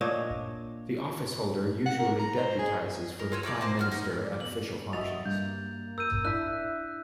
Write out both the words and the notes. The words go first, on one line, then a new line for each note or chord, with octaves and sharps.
The officeholder usually deputises for the Prime Minister at official functions.
A#2 D4 C#5 D#5
F#5
A#4
A#5
C5
G#4
A#4
F4 C#5 E6
A3 A#3 D5 A5
A#3 C5
F#4 F6
D#4
D5
B2 F#7
F#4 D#5 E5 A6 F7
G2 A#3 G6
F#2 A#4 E6 G6 D#7
D4 E4 E5 F#6 B6